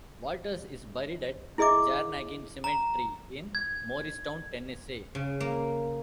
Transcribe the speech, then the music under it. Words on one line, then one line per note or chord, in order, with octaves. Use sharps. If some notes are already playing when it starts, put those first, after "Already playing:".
Walters is buried at Jarrnagin Cemetery in Morristown, Tennessee.
E4 G#4 D#5 E5 D6
A#5
G#6
C#3
A#3